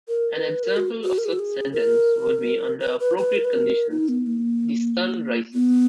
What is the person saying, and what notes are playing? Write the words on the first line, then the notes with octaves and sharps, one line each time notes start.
An example of such a sentence would be Under appropriate conditions, the sun rises.
A#4
B4
A#4
F#4
F#4
A#4
G#4
F#4
G#4
A#4
B4
B4
B4
A#4
B4
A#4
D#4
B3
A#3
B3